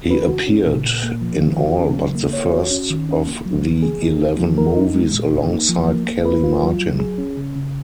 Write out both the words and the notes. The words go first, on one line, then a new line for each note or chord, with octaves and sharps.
He appeared in all but the first of the eleven movies alongside Kellie Martin.
B4
F#4
C#4
A#2
A#2
A#3
F3
D#3
F#4
C#4
F#3
A#3
C#5
F#4
C#4
D#3
C#4
A#3
F#3
F3
G#4
D#4
A#3
F3
A#4
D#4
G#3
A#2
D#4
A#3
F3
A#3
A#3
B4
F4
F#3
F#3
G#4
C#4
C#3
C#3